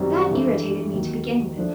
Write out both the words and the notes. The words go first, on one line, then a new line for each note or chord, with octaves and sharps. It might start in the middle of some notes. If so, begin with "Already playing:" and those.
That irritated me, to begin with.
Already playing: F#2 D#3 G3 C4
G2 E3 A3
D#2 D#3 F#3
F3 A3 D4